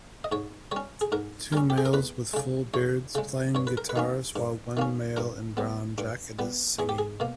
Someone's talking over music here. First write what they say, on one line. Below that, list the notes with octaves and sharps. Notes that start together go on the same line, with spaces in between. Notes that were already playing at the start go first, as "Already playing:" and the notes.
Two males with full beards playing guitars while one male in brown jacket is singing.
D#5
G#2 C#5
G3 C#4 C#5
G#4
G#2 A#4
G3 C#4 A#4
G4
G#4
A#4
E2 B4
C#3 G#3
E2 C#5
C#3 G#3
G2 C#5
B4
A#4
B4
D#3 A#3 C#4
G2
D#3 A#3 C#4
G2 A#4
G3 B3
G2
G3 B3
E2 G#4
G4
G#4
B2 A#3